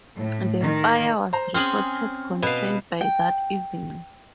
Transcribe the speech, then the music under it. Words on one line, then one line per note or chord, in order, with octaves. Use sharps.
The fire was reported contained by that evening.
A2
D#3
C5 A#5
C4 C#4 G#4 F6 F#7
B2 B4 F5
G5